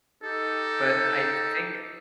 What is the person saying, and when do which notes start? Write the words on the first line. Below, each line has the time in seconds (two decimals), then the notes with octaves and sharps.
but, I think"
0.24 D#4 G4 A4